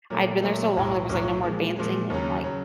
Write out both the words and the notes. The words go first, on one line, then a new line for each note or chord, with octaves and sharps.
I'd been there so long there was, like, no more advancing and, like,
A#2 F#3 A3
A#2 F#3 A3
B1 A2 F#3
B1 A2 F#3
A#2 F3 G#3
A#2 F3 G#3
D#2 C#3 F#3
C#3 F#3